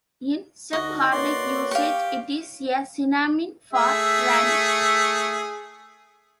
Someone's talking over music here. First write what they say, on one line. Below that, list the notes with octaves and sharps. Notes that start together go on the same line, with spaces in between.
In Sephardic usage it is a synonym for "rabbi".
D2 D#4 F#4 D#5
A#3 F#4 B4 C#5 D5 C6
G4 F5 C#6
A3 G#4 E5